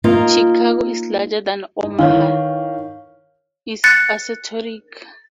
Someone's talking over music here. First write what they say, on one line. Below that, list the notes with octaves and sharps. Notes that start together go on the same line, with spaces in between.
"Chicago is larger than Omaha" is assertoric.
A#3 D#4 F4
D#4
D#3 E3 C#5 F5
F#6 A6 C#7